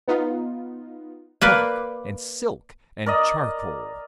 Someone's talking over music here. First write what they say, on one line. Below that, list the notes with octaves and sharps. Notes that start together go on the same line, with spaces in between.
Punk and silk and charcoal.
B3 D#4 F4
A#3 B4 D5
A#4 D5 D#5